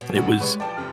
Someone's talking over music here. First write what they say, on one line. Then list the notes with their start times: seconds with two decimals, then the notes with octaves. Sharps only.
it was
0.01 B2
0.15 A1 D2 A2 G#3 D4 F#4
0.27 G#2
0.40 G3 G#3 B4 C#5 B5
0.60 E3 F3 D5 G5 A5
0.77 F1 C3 F6